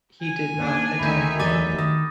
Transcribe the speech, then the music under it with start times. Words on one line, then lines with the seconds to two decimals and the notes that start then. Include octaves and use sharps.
He did not attend.
0.22 G#5
0.57 D#2 D4
0.99 D2 D#3 E5 B5 G6
1.39 E2 F#3 G4 D6 A6 D#7
1.79 D#3 D#6 A#6